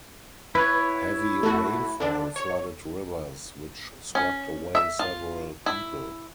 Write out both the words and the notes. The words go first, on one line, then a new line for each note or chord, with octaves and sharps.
Heavy rainfall flooded rivers, which swept away several people.
E4 B4 C#5
A3 F#4
D3 D4
C#5
C#4
E5
F4
E4